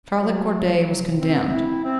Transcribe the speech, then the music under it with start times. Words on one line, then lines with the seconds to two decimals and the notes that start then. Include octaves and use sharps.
Charlotte Corday was condemned.
0.20 F#3
0.53 F#3
0.85 C3
1.19 C4
1.51 E4
1.84 C4